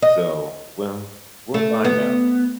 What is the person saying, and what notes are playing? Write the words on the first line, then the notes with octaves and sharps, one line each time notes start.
So, well, we'll find out.
D#5
A3
B3